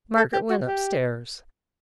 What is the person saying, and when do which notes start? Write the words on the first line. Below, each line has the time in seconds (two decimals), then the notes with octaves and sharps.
Margaret went upstairs.
0.17 A4
0.33 G4
0.50 F#4
0.66 G4